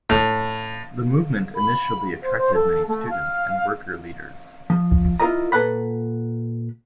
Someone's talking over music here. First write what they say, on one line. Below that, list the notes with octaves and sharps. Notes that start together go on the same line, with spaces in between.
The movement initially attracted many students and worker leaders.
A2
B5
C5
C5
A4
A3
F5
F3
E4 F4 G#4 A#4 D#5 A#5
A#2 A4 B4 F#5 B5